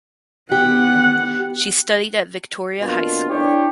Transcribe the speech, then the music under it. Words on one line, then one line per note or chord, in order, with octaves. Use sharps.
She studied at Victoria High School.
B3 G4 F#5
F2 B2 A#3 D4 F4
D4 E4 G4 C#5